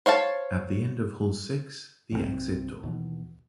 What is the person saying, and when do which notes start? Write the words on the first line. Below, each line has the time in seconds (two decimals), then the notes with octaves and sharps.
At the end of hall six, the exit door.
0.06 C5 C#5 F5 A5
2.12 B1 C3 F#3 C4
2.83 D#2 B2 E3